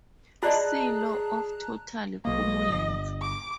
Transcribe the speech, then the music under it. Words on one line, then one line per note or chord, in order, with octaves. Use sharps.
See law of total cumulance.
F4 G#4 D5 D#5 A5 A#5 F#6
B1 A#3 D#5
G1
D6